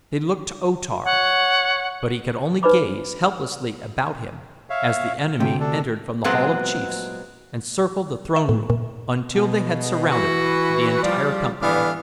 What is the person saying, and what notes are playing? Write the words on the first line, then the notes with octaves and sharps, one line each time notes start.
They looked to O-Tar; but he could only gaze helplessly about him as the enemy entered from The Hall of Chiefs and circled the throne room until they had surrounded the entire company.
C#5 F#5
D#4 B4 C5 D5 B5 D6
C#5 E5 F5
D2 C3 G5
D4 A4
A#2 F#3 G#3 B3 C4
E5
A2
A#2
B2
E3 F#4 B4
F3 G3
A2 E3 G3 B3 D4 F5